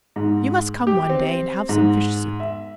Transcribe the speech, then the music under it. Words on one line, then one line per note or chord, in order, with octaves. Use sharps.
You must come one day and have some fish soup.
G#2
G4
C4
G#2
E5